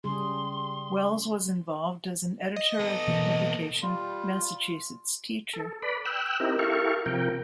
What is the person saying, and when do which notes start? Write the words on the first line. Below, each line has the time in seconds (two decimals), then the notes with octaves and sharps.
Wells was involved as an editor of the publication "Massachusetts Teacher".
0.04 C#3 G3 G#4 C6
2.56 D#5
2.79 B3 A4
3.08 B2 E3 A#3
3.82 G3 F4
5.53 A4
5.82 B4 D5 B5
6.05 G5 E6 F#6
6.40 C4 D#4 E4 G4 A#4
6.59 E4 G4 A4 A#4 F5 C#6
7.06 C3 F3 A#4 G5